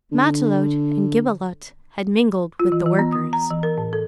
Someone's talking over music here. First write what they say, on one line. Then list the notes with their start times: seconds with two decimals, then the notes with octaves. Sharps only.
Matelote and Gibelotte had mingled with the workers.
0.12 D3
2.60 F4
2.72 E3
2.86 E3
2.99 B3
3.12 D#6
3.33 A#5
3.51 E3
3.63 A#4
3.78 A2
3.93 A4